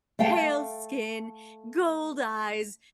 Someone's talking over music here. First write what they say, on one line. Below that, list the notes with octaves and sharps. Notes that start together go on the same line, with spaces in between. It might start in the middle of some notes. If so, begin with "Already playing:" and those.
pale skin, gold eyes,
A3 F5 G5 A5